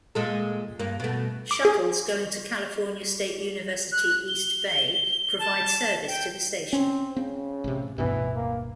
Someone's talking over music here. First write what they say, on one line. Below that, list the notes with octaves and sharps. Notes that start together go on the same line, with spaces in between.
Shuttles going to California State University, East Bay provide service to the station.
A#2 G#3 A4
G2 A#3
B2 A3
D6
G#4
F#6
G7
A5
G5
C4 C#4
C#3 C4
A1 C3
D1 G2 B2 E3
A#3